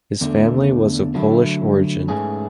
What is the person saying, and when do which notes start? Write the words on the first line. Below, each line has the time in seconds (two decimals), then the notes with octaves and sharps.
His family was of Polish origin.
0.21 E2 D3 A3
1.14 D3 F#3 A3 E4
2.08 G#2 E3 A3 C#4 G#4